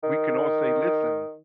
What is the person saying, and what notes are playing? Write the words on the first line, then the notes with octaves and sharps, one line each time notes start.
we can all say, listen,
D#3